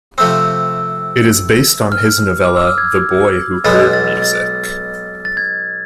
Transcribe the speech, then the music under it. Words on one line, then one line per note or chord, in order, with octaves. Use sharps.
It is based on his novella "The Boy Who Heard Music".
C3 F3 A3 C4 E6
F6
D6
E6
F6
G#6
B1 B2 G#3 B3 A6
A6
A6
A6
G#6